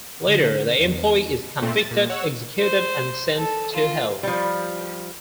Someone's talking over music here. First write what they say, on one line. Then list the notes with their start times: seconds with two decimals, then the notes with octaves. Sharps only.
Later, the employee is convicted, executed, and sent to Hell.
0.25 D3
0.80 E2
1.62 A#2 A3 C4
1.79 A6
1.91 A#2
2.10 C#5 F#5 E6
2.59 C5
3.38 A4
3.72 F4
4.23 F3 G3